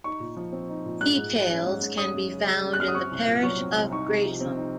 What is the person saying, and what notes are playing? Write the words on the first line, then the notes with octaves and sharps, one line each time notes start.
Details can be found in the parish of Greatham.
D#4 C#6
A#2
F3
C4
D#4
A#2
G#2 F#6
G#2
F#3
C#4
G#2
G#2
C#4 D#6
F#2
C#3
G#3
C#4
F#6
F#2 F6
D#6
C4 C#6
C2
A#2
F#3 C#6
C4
C2
D#4 C#6
C3
F3
C4
D#4